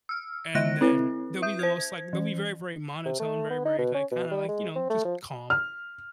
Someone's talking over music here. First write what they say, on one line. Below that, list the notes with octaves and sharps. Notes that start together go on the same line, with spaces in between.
and then they'll be the most like they'll be very, very monotone, very, very, like, kinda like, you know, just calm.
E6 F6
D3 G#3 D#5 E5 F#6 A#6
C4 E4 B4
E5 D#6 G6
C5 G#6
E3
C3
A3
B3
D#4
B2
C#4
B2
G3
G#3
C4
A3
F3
F6